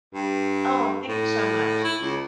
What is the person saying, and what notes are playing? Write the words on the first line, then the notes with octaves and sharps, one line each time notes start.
Oh, thank you so much.
G2
A2
E4
C#2